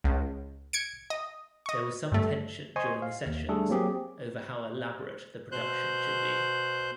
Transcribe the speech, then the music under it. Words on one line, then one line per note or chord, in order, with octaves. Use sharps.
There was some tension during the sessions over how elaborate the production should be.
C#2
G#6 C#7 D7
D#5
D#5 C#6
G2 A3
C5 D#5 G#5 C6 C#6
F5
D#2
G3 A3 D4 G#4 A4
F#3 A#3 C4 G4 G#4
B2 C5 F#6 G6